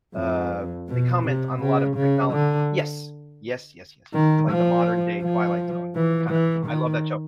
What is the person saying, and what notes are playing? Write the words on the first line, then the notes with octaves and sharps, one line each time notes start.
uh, they comment on a lot of technol Yes, yes, yes, yes, yes, yes, like the modern day Twilight Zone, kinda I love that show
F2
B2
C3
C#3
C#3
D3
D#3
F3
F3
E3
E3
D#3